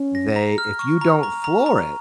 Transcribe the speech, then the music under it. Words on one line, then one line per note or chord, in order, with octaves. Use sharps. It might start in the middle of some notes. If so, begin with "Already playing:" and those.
they if you don't floor it
Already playing: C#4
A#6
A#5
F6
C#6
A#5
A#5
A#5
A#5